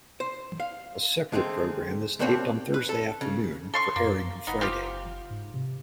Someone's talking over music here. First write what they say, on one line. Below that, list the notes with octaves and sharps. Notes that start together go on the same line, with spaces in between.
A separate program is taped on Thursday afternoon for airing on Friday.
C5
F5
D3 G#3 A3 C4
G2 B2 A#3 C4 D4 C#5
B4
A4
C#3
A4 C6 C#6
F#2 A#3
F#1 B3 D#4
C4 F4 G4
G#2
C3